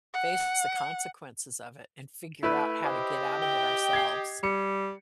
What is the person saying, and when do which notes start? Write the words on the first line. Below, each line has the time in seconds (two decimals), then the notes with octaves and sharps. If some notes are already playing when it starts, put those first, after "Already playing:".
face the consequences of it and figure out how to get out of it ourselves.
0.14 F#5
2.43 A3 E4 B4
2.84 G4 C5 D#5
3.42 G5
3.93 G#6 C7
4.43 G3 C#7